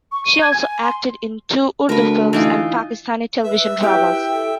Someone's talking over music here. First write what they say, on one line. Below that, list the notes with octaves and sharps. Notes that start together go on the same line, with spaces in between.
She also acted in two Urdu films and Pakistani television dramas.
C#6
D#7
G#6
G#5
C6
D2 A#4 B4
E3 D#4 F4
B4 E5 E6
E4 G4 G5
A4